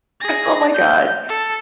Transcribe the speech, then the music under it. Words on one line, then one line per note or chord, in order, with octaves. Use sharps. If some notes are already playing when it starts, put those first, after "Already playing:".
Oh my god.
G#4 A#6
G6
A4